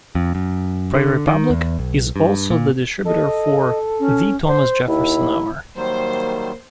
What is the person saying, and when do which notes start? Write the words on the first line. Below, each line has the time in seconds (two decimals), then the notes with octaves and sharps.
Prairie Public is also the distributor for "The Thomas Jefferson Hour".
0.15 F2
0.35 F#2
0.94 D3
1.27 D#3
1.50 E2
1.79 B1
2.16 G2
2.50 A#2
3.06 A4 D#5
4.00 C#4
4.48 C5
4.87 D#2 E4
5.76 D#3 F#3 G3 A#3 C5